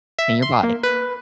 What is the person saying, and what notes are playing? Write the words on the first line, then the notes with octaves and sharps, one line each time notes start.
in your body.
E5
C6
A#3
B4